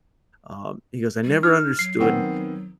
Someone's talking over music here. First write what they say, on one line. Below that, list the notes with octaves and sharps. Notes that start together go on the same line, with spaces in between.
um, he goes, "I never understood
G3
D#4 F6
F#3 C7
D#3 B3 C4